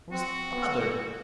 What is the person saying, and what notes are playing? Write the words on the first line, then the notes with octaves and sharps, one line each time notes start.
I was bothered!
C4 F#4
B3